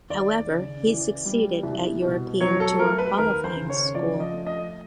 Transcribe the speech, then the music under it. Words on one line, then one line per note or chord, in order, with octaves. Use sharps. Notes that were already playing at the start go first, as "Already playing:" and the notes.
However he succeeded at European Tour Qualifying School.
D#2 D5
C#3
E3
G3
C2
B2
F#3 C#5
A4
A3 A#4
B4
D#2 A#4
C5
C#3
C#5
F3 D5
D#5
A3
D#5